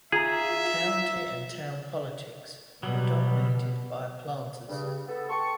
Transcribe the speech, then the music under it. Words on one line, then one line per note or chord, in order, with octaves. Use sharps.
County and town politics were dominated by planters.
D#3 F4 G#4 E5 A#5
B2 F#3 G3 B3
G2 C#3
B3 A4
F#5 G5 A5 C6 C#6